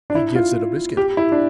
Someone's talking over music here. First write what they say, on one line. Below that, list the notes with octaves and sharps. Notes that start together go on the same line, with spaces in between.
He give it a biscuit.
D4
E4
F4
G4
E4
D4